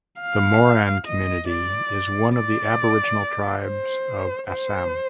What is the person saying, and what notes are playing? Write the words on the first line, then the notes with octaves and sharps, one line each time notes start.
The Moran community is one of the aboriginal tribes of Assam.
F5
D#5
D5
D5
C5
C5